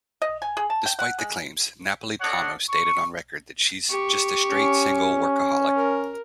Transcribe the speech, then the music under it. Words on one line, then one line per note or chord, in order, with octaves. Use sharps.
Despite the claims, Napolitano stated on record that she's "just a straight, single workaholic".
D#5
G#5
G#4
A5
G5
F#5
G#3
D4 A4 C#5 D#5 F#5
C#6
G4 C#6
C#4
A#4